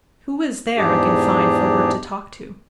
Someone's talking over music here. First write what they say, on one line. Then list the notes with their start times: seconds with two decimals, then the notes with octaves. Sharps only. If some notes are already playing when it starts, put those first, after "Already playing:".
Who is there I can find for her to talk to?'
0.77 E2 G#2 D4 G4 G#4